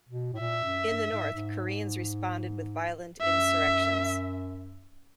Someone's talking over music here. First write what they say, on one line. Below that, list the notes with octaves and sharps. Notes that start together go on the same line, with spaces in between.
In the north, Koreans responded with violent insurrections.
B2
A2
A#2 E5
F#2
G2
G#2
G#2
F#2 E5